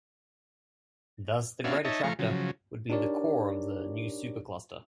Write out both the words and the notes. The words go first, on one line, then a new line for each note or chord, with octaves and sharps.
Thus the Great Attractor would be the core of the new supercluster.
B3 C#4 D4 F#4 E5 F5
D#4 C#5 D#5 E5 A5
F3 A3 F5 A#5 C#6
C#3 F3 F#3
D4 D#4 G4 A#4 C#5 D5